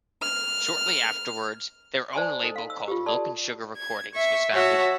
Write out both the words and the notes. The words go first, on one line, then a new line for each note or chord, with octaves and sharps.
Shortly afterwards, their own label called Milk and Sugar Recordings was founded.
F6
C5 D5 G#5 A5 C6
D#4 A4 D#5
F5 C6
E6
F4 G4
A4 D5 A5 C6
G#6
E5 C#6
F#4 C#5 E5 F#5 A5